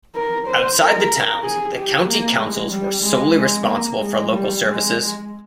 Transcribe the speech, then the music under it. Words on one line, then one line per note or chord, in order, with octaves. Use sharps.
Outside the towns, the county councils were solely responsible for local services.
A#4
C5
A#4
G#4
G4
A#3
G#3
G3
G#3
G#3
A#3
G#3
G3
G#3